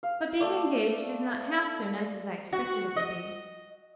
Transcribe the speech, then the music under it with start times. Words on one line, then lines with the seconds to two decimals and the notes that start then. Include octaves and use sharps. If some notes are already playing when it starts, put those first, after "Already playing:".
But being engaged is not half so nice as I expected it would be.
0.03 F5
0.40 A3 D5
2.52 F#4
2.96 D#5